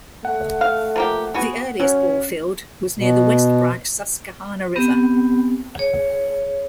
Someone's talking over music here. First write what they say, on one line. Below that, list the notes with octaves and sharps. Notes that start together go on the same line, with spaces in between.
The earliest ballfield was near the West Branch Susquehanna River.
A3 F#5
F5
F3 A#3 G4
B3 F#4 G#4
F#3 C#4 C#5
B2
B3 C4 G4
G#4 C#5